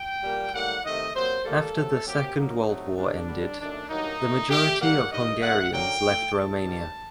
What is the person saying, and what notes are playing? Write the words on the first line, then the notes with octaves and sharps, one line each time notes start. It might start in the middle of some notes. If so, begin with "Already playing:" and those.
After the Second World War ended, the majority of Hungarians left Romania.
Already playing: G5
A#2 G3 A#3
A2 G3 A#3 F#5
C3 D#3 A3 D#5
C3 F#3 A#3 C5
A2 G3 A#3 A4
C3 F#3 A3
C3 F#3 A#3 G4
F#2 D3 F#3 A#3 D#4
C3 F#3 A3
C3 G3 A#3 D4
G2 D3 G3
F#2 D#3 A3 D4
G2 D#3 F#3 A#3 D#4
A#2 A3
A#2 A3 G4
A#2 G3 A#3 F#5
G2 D#3 G3 A#3 D#5
F#2 D#3 A3 F#5
F#2 D3 F#3 A#3 G5
A2 A3
A2 A3 A5
G2 D#3 G3